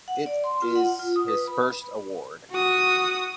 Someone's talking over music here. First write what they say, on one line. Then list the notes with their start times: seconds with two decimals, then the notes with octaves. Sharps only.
It is his first award.
0.08 F#5
0.26 D5
0.44 C6
0.62 F4
0.75 F#5
0.99 F4
1.16 D#6
1.28 B4
1.47 B5
2.51 F#4 D#6